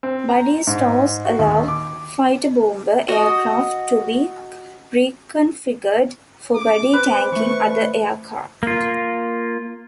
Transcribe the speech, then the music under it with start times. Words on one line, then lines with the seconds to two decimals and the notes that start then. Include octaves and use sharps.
Buddy stores allow fighterbomber aircraft to be reconfigured for "buddy tanking" other aircraft.
0.03 C4
0.29 A#5
0.67 G#2
1.25 F#4
1.39 D#2
1.68 D6
3.08 F#4 D#5
6.56 D6
6.93 C4 B4
7.32 E3 A3 C#6
8.63 A#3 F4